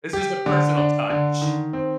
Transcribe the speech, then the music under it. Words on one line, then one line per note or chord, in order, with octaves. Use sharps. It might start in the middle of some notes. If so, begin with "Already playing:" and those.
It's just a personal touch.
G4
D3
D4
D3
D#3
C4